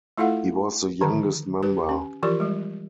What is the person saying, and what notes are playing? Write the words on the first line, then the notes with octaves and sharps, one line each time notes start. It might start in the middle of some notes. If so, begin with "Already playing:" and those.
He was the youngest member.
A3 E4 F4 A4 F5 F#5
D3 D#3 F3
G4 B4
C#4
E3 F3 F4 G4 A#4 D5
G3 G#3